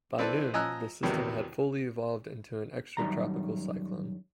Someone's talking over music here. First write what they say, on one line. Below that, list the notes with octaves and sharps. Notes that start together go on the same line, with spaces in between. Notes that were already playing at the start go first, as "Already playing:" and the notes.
By noon, the system had fully evolved into an extratropical cyclone.
C4 E4 A4 B4 D5
F3 D#5 G#5 A#5 E6 F#6
E2 A2 C3 D#3 E3 F#3
F#2 D#3 G3 A#5